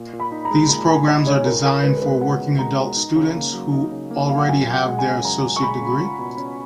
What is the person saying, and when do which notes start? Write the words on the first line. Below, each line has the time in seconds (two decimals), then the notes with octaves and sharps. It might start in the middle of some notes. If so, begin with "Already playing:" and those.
These programs are designed for working adult students who already have their associate degree.
Already playing: A#2
0.13 A#2
0.20 B5
0.32 D#4
0.45 A#5
0.51 G#3
0.69 A#2 A#5
0.88 A#2 G#5
1.07 D#4 D#5
1.26 G#3 C#5
1.45 C#2 A#4
1.64 C#2 A#4
1.83 G#3 B4
1.95 A#4
2.02 B2 B4
2.21 C#2 F#5
2.40 C#2
2.59 G#3 A#5
2.78 B2
2.97 D#4
3.16 C#3
3.35 A#3
3.54 F#3
3.73 D#4
3.92 C#3
4.11 A#3
4.29 F#3 F5
4.38 F#5
4.48 F#2 G#5
4.67 F#2
4.74 F#5
4.86 G#3 F#5
4.99 G#5
5.05 C#3
5.25 F#2 A#5
5.43 F#2
5.56 C#6
5.62 G#3 B5
5.81 C#3
6.00 F4
6.19 B2
6.37 C#4